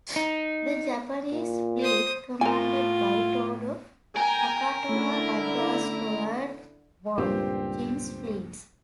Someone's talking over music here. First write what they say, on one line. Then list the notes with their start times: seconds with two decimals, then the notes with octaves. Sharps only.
The Japanese fleet, commanded by Todo Takatora, advanced toward Won Gyun's fleets.
0.16 D#4
1.32 A#2
1.82 C5 D#6
2.41 A2 F4 A#4 G#5
4.16 A#4 G5 G#5 A#5
4.89 D3 A3 C#4 E4
7.18 C#2 G2 A#2 C4 G4 C5